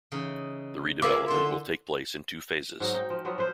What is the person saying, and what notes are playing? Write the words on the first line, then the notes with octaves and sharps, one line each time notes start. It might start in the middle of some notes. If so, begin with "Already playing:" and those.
The redevelopment will take place in two phases.
C#3 E3 D#4
E4 F4 G#4 A#4 F5 D6
D3 A4 C6
G#2 F#3 D#4
D#4 G5
F3
F3 F#3 B3
F3 B4 C5